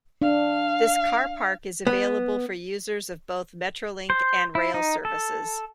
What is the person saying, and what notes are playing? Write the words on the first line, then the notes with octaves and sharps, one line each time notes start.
This car park is available for users of both Metrolink and rail services.
D4 F5
B3
C5
E4
D#4
A4